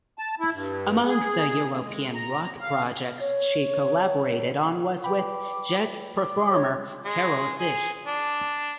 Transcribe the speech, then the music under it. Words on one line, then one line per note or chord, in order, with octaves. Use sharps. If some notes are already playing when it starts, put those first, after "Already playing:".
Among the European rock projects she collaborated on was with Czech performer Karel Zich.
A5
E4
G2
G#4
A#3
G#3
A#5
F5
C#5
B4 G5 B5 D6
D6
C#5
G#3
G#4
D4